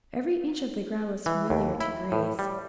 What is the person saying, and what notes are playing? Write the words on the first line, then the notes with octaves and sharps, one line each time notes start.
Every inch of the ground was familiar to Grace.
E3
D#2
E4
A2
G3